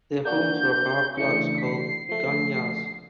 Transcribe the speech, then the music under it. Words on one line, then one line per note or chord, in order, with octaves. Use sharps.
Their homes were bark huts called 'gunyahs'.
A#3 D4 F#4 G6
C#3 E3 A3 D4 C#7
B6
C7
F3 A3 C7